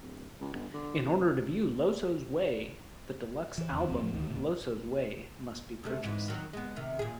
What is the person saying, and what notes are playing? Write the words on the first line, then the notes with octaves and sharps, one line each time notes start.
In order to view "Loso's Way", the deluxe album "Loso's Way" must be purchased.
D1
C#2
G1
D3
E2
A1
E3
E2
D#1 F2 C4
A2 F3
D2 D#3 G#3
D1 C#2 A#2
D2 C3 A3
G#2 E3
D#3 F#3
G#3 B3
C3 D#3
A#2 G#4